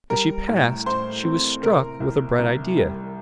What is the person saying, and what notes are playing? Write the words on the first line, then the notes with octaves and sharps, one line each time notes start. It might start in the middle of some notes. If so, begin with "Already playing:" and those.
As she passed, she was struck with a bright idea.
G3 A#4 A#5
A2
A2 C5 C6
C4
C3 A#4 A#5
C2
C2
G3